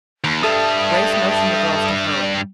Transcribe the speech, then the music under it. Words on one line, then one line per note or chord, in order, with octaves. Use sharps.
Grace motioned the girls to hurry.
D#2
G2 G3 A4 E5 A5 D#6